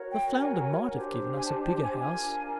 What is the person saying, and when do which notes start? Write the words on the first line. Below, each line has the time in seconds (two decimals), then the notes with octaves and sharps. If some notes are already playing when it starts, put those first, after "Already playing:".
The flounder might have given us a bigger house.
Already playing: F#4 A#4 C#5
0.12 G5
0.39 G#5
0.92 D4 G4 C5
1.36 G#5
1.46 A5
1.65 A5
1.83 G#5
2.01 D4 F4 A#4 G#5